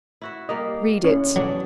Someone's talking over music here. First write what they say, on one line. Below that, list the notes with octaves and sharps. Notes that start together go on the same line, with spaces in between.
"Read it."
E4 F#4 E5
G3 A#3 D#5 F5
A2 C#4
B2 F#3 D4 A4